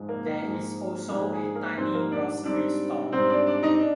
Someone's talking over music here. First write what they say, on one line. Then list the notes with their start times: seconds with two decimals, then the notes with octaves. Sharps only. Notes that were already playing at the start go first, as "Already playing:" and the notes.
There is also a tiny grocery store.
Already playing: G#2 F3 G#3
0.09 A#3 A#4
0.26 A#3 A#4
0.43 G#2 F3 G#3
1.10 G#2 F3 G#3 A#3 A#4
1.33 G#4
1.55 A#3 A#4
1.78 G#2 G3 C4 D#4 C5
1.94 A#3 A#4
2.11 D4 D5
2.45 G#2 G3 C4 D4 D#4 D5
3.12 G#2 G3 C4 D#4 C5
3.29 D4 D5
3.46 D4 D5
3.63 D#4 D#5
3.80 D4